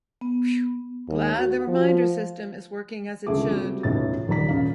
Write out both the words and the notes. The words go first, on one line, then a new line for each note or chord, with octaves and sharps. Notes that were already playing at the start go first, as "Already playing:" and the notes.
Phew! Glad the reminder system is working as it should.
B3
D#2
F#4
F3
C#2 D3 G#3 A3 G#4 D6
G3 C4 F#4 G4
E1 C#2 A2 D#4 A6
D#1 D#3 G3 D5 A#5 B6
D#1 C#3 F5